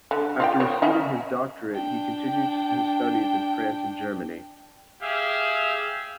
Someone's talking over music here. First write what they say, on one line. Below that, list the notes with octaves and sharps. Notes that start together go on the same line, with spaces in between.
After receiving his doctorate, he continued his studies in France and Germany.
D3
F4 D5 G5
B3 C#5
C#4 D#5 E5
D4 G5
G4 G#4 E5 F5